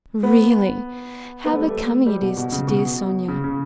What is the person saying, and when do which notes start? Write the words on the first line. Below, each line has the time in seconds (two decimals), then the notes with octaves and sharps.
Really, how becoming it is to dear Sonya.
0.23 B3
1.46 B3
1.53 A3
1.61 G3
1.69 A3
2.07 G3
2.21 B2
2.37 B2
2.52 C#3
2.67 B2
3.28 C#3
3.44 C#3